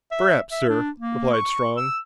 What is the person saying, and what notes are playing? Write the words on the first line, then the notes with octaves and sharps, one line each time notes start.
"Perhaps, sir," replied Strong.
E5
E5
D4
A#3
C#6
E6